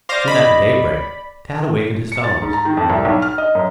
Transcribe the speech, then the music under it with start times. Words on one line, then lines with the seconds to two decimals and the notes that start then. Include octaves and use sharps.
Soon after daybreak, Tad awakened his fellows.
0.09 C5 D5 F5 D6 A#6
0.28 D#5 B5
2.12 C#7
2.24 A6
2.42 G#2
2.53 A#5
2.65 D#3
2.77 F2
2.90 C2
3.05 B1
3.22 F6
3.38 D#5
3.55 F#2